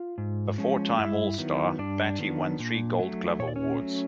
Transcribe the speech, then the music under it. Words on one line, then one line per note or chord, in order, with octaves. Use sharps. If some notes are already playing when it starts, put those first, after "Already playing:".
A four-time All-Star, Battey won three Gold Glove Awards.
Already playing: F4 F5
G#2
F3 G#3 C#4
G2 E4 E5
D#3 F#3 B3
G2 D4 D5
D#3 F#3 B3
A#2
F#3 A3
A#2 C#5
D5
C#4 C#5
F#3 A3